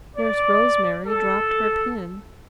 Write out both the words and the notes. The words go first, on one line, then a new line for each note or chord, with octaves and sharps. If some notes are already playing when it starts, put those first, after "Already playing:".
Nurse Rosemary dropped her pen.
D5
A4